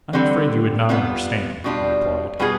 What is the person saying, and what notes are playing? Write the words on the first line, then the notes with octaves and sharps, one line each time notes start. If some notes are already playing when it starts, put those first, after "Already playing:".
"I am afraid you would not understand," he replied.
D3 G3 C4 G4
C3 G3 B3 F4
B2 G3 D4 F4
B2 G3 B3 F4 G#4